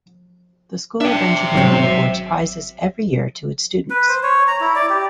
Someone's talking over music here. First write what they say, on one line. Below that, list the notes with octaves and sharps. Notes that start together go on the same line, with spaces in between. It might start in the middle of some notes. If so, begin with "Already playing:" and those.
The School of Engineering awards prizes every year to its students.
D4 E5 G5
G#1 F#3 C4
B4
C5
C#5
A#5
E4
D5
G4